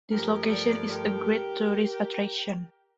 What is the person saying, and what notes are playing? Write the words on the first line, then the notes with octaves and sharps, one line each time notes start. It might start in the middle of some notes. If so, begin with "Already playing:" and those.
This location is a great tourist attraction.
G2 F3 A3 G4 A#4
A#4 D5
G4 A#4